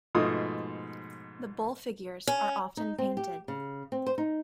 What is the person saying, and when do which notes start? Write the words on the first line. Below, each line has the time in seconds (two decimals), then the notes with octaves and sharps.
The bull figures are often painted.
0.15 G#2 B2 F3 A3 D#6
2.27 C#4
2.77 D#4
2.98 C4
3.17 G4
3.48 C#3
3.92 C4
4.06 C5
4.18 D#4